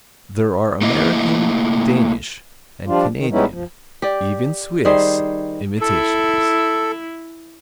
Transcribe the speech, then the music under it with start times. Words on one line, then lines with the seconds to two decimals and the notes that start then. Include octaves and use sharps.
There are American, Danish, and Canadian--even Swiss--imitations.
0.81 A3 A#3 E4 D#5
2.86 F3 G3 D4 F4
3.16 D#3
3.32 G3 G#3 B3 C#4 D#4 E4
3.51 F3
4.02 G4 D5
4.85 D#3 G3 G#4 C5
5.81 E4 A4